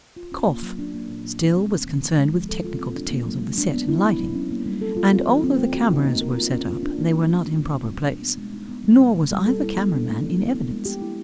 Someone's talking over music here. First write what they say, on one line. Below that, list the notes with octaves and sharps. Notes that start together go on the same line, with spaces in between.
Kauf still was concerned with technical details of the set and lighting, and, although the cameras were set up, they were not in proper place, nor was either camera man in evidence.
F4
C#4
A#3
F#3
D4
A#3
A#2
A#3
F#3
C4
A3
E3
D3
G#3
F3
A4
F4
C4
D4
A#3
F#3
G#3
D4
B3
E4
B3
F#3
C#4
A#3
G3
A4
F4
C4
E3
C4
A3
F#4
D#4
A#3
A#4
F4
C#4
F4
D4
A#3
F#3
C#4
A3
B2
C4
G3
D4
B3
G#3
D#4
B3
G3
B2
A#3
G3
A4
E4
B3
D4
A#3
F3
E4
B3
G#3
G4
E4